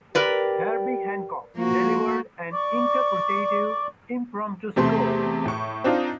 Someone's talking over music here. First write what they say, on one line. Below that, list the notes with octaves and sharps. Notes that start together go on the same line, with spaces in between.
Herbie Hancock delivered an interpretative impromptu score.
G4 A#4 B4 D5
F3 A#3 F#4
D5 C#6
E2 C3 A3 C6
A2 C#6
C4 D4 D#4 F4